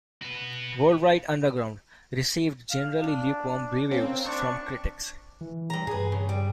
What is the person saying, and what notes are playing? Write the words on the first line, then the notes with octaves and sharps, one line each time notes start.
"Worldwide Underground" received generally lukewarm reviews from critics.
F#4 B4
F5
D4
A#3 C4 C#4
D4 C#6
E3
G2 A#5
G2 G#4 B4
C#3
G3